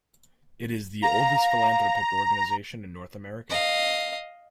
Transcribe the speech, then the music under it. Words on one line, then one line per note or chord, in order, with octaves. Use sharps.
It is the oldest philanthropic organization in North America.
F5 A#5
D#5 F5